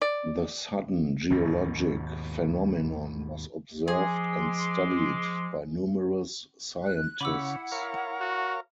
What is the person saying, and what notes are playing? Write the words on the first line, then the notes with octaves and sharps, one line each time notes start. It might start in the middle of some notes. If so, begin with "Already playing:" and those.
The sudden geologic phenomenon was observed and studied by numerous scientists.
D5
D#2 G#2 B2
F3 G#3 G#4 C6 D6
F#6
C#3 E4 F#5 B5 D6 E6
A#4 C#5 F5
F#4